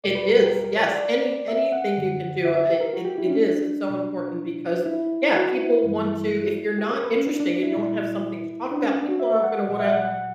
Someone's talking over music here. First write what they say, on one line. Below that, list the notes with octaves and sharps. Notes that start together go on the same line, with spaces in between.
It is, yes. Any anything you can do, I it it is, it's so important because, yeah, people want to if you're not interesting and you don't have something to talk about, people aren't gonna wanna
E2 B2 G3 D5
B4
A#4
G4
A#4
A#4
C#5
D5
E5
F#5
F#2 D3 F#3
E5
E5
G4
A#4
F#4
G4
E4
D4
C#4
D4
B2 F#3
E4
F#4
E4
G2 E3 G3
G4
A#4
B4
C#4
D4
D4
D4
E4
A#2 G3
D4
C#4
D4
F#4
E5
F#5
A#2 F#3 F#5
E5
F#5
F#5